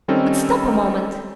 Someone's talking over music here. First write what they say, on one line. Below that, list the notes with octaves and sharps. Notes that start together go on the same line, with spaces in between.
But stop a moment.
D#3 G3 C4 C#4 D#4 A4